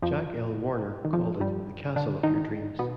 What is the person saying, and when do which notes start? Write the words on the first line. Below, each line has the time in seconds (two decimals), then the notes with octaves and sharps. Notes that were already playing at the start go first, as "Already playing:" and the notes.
Jack L. Warner called it "The Castle of Your Dreams".
0.02 F2 F3
1.05 D#3
1.13 F2 F3
1.40 G2 G3
1.96 D3 D4
2.23 D#3 D#4
2.79 B2 B3